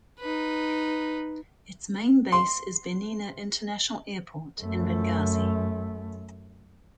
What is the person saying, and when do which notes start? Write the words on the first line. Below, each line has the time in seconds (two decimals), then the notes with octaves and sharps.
Its main base is Benina International Airport in Benghazi.
0.20 D#4 B4
2.32 C6
4.62 F#2 A3